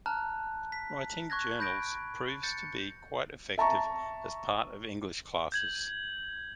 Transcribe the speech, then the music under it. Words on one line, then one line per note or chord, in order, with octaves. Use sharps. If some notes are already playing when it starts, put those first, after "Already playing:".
Writing journals proves to be quite effective as part of English classes.
A5 A#5 F6 F#6
B6
C#6 F#6 G#6 A#6
B5 G6 A#6 D7
G6 A6 C#7
E5 A5 A#5 C#6
G6 G#6 F#7